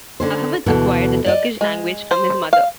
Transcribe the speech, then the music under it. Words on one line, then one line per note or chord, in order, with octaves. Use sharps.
Ahmad acquired the Turkish language from his mother.
D3 C#4 C5
D2 B2 E3 A4
D5 D#5
G#3
C5
F5